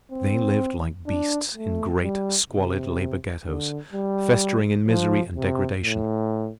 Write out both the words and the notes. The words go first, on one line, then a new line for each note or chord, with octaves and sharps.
They lived like beasts in great squalid labor-ghettos, festering in misery and degradation.
C4
D4
A3
G3
C3
D3
G3
F3
C3
A2